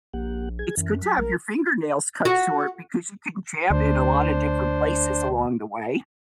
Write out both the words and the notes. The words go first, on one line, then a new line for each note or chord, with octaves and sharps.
it's good to have your fingernails cut short because you can jab it a lot of different places along the way,
A#1 A#3 G4 F#5
G#4 G#6
F#2 E3
F#3 B6
A#1 A#4
F#4
D2 D4 C5